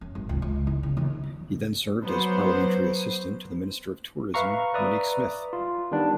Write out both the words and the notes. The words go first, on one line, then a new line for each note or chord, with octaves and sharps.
He then served as the parliamentary assistant to the Minister of Tourism, Monique Smith.
F#2
G#1
C#2
C#2
E4
C#3
D#2
F#3 B3 C5
B4 E5 F5 A#5 C#6
B4 D5 E5 A#5 D#6
F4
D#3 G3 B3 D4